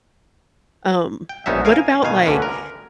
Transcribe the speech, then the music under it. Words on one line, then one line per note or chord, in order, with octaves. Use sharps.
Um, what about like
G5
A#1 B3 C#4 D#4 E5
A#4 F5 G#5
B2 D#3 F5 G#5
D2 D3 C#4 B4
A#4